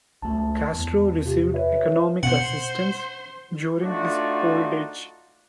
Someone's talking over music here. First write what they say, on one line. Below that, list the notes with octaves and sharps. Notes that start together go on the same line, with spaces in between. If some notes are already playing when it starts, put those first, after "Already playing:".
Castro received economic assistance during his old age.
C#2 A3 A5
E2
C3 F4 G4
B4 C#5 E5
B2 C5 F#5 C6
A3 D4 D#4 F4 F#4 D5